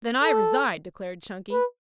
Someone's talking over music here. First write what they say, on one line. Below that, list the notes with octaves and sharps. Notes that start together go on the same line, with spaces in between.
"Then I resign," declared Chunky.
A4
B4